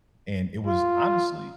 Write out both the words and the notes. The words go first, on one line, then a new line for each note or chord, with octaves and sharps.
and it was honestly,
F4